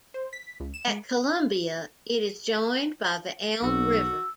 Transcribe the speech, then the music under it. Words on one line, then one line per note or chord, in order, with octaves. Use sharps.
At Columbia, it is joined by the Elm River.
C5
B6
C#2
E7
G#3
B1 F#4 E6